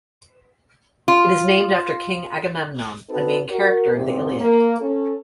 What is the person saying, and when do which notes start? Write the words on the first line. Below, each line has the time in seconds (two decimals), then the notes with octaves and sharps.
It is named after King Agamemnon, a main character of the Iliad.
1.08 F4
3.10 C4 D#4 F#4 A4 B4
3.52 F#4 A#4
3.95 E2 G#2 C3
4.40 A#3
4.80 C#4 A4